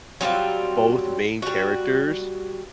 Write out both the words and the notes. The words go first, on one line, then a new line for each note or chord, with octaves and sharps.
both main characters,
F#3 G3 C4 F4
G3 F#4